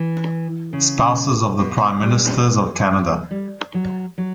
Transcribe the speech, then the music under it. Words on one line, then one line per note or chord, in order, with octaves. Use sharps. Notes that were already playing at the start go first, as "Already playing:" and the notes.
Spouses of the Prime Ministers of Canada.
Already playing: E3
C#3
B2
G3
G3
F#3
F#3